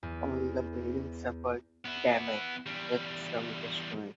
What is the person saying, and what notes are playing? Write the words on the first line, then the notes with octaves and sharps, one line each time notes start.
All the buildings suffered damage, with some destroyed.
E2
B3 E4
E2 G3